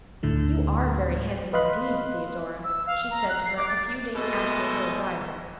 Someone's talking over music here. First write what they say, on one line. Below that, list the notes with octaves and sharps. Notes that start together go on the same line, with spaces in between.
"You are very handsome, indeed, Theodora," she said to her a few days after her arrival.
D2 A2 D3 A3
B4 D#5 F5 B5 C6 F#6
E6
F5
A#5
F#6
C7
D6
A6
B2 G#3 A3 A4 D#5